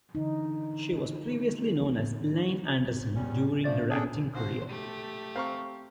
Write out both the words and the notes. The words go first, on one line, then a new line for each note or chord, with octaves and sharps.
She was previously known as Elaine Anderson during her acting career.
D3 E3 D#4
E2 G3 C#4
F3 A3 D5 A6
B3 C#4 D4 G#4 A4
B1 F#4 C5
A3 G4
C4 F5 A#5 C#6 F6